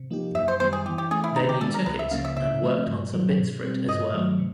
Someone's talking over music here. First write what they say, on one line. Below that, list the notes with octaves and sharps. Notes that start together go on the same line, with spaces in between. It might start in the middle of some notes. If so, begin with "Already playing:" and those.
Then you took it and worked on some bits for it as well.
Already playing: C3
F3 A#3 D#4 G4
F#2 E5
C5
D#3 G3 B3 C5
G#4
E3 G4
G4
A3 C#4 G#4
E4
D#3 D#4
G4
G#3 B3 D4 A4
A#4
C#2 B4
E5
C#3 F3 A#3 C#4 F5
E5
C#3 E5
F3 A3 C4
G2
D#3 F#3
B2
G3 C4
G2 D#5
D#3 F#3 A3
C3